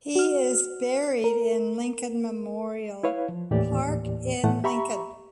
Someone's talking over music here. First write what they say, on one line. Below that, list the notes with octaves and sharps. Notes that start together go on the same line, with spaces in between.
He is buried in Lincoln Memorial Park in Lincoln.
F#4 F6
A#4
E4 B4 C#5 F5
F3
D#2 A2 E3 A#3 G4 D5
A2 E3 A3 F#5
G4 E5 A#5 B5 C#6